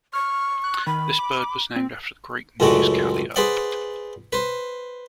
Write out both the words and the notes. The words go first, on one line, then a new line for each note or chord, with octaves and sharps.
This bird was named after the Greek muse Calliope.
C#6 F6
F#6
D#3 B5
D6
C4
C#2 F#2 A2 G#3 D4 F#4
G#4 B4 C5 D5 F#5
B4 C5